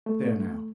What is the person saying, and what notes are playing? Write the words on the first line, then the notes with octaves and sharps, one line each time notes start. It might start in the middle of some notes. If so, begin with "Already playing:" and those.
There, now.
A3